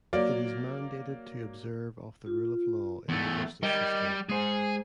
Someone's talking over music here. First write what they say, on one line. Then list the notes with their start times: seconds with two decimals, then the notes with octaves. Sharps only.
It is mandated to observe of the rule of law in the justice system.
0.13 F#3 A#3 D5
2.26 F4
3.09 E2 A3
3.63 G3 A#4 D#5
4.29 G#3 G#4 C5